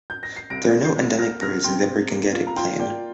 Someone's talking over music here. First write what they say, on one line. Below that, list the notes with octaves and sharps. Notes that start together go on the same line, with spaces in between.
There are no endemic birds in the upper Gangetic Plain.
G6
A#6
C7
C2 A#6 D7
A#2
G6 C7
C2
A#3 F6 A#6
C3 F6 A#6
C3 G5 C6
C3
A#3
F4
A#5
F4 G5 C6
A#3 D5 G5